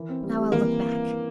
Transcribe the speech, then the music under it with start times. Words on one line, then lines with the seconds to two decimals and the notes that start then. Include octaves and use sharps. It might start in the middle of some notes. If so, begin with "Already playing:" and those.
Now I'll look back.
Already playing: E3 A#4
0.09 C4
0.23 G3
0.38 G4
0.52 E3 A#3